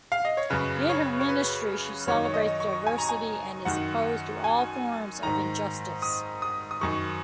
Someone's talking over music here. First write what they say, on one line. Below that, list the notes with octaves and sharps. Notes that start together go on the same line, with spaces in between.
In her ministry she celebrates diversity and is opposed to all forms of injustice.
F5
D#5
C#5
F#2 C#3 B4
C#5
C#5
B4
F#2 D#3 C#5
C#5
D#5
C#6
G#5
A#5
G#5
F#2 D#3 F#5
G#5
G#2 D#3 A#5
D#6
D#6
D#6
F#2 D#3 C#6